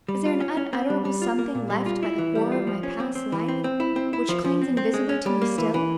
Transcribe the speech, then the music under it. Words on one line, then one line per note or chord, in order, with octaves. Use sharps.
Is there an unutterable Something left by the horror of my past life, which clings invisibly to me still?
G3
F4
C#4
C#4
C4
G3
G3
F4
A#3
A#2
G3
F4
E4
E3
G3
F4
F3
C#4
C4
C4
E3
C4
C4
E4
C4
E4
F3
F3
C4
C4
G#3
C#4
G3
A#3
E3
E3